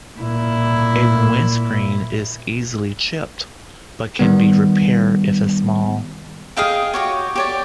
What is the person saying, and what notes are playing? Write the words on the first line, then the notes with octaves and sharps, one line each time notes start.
A windscreen is easily chipped, but can be repaired if it's small.
A#2 E4
D#3 G3 B3
G#4 D#5 F5 G5
F#4 G4 C#5
G4 C#5 D5